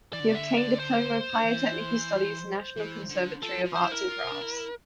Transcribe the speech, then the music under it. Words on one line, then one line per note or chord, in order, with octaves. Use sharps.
He obtained diploma of Higher Technical Studies National Conservatory of Arts and Crafts.
E3 D5
D3
C3
D3 E5
D5
C5
D3
E3
E3
D3
F3 A4
F3
D4 C5
E4
A#4
F4
D4
E4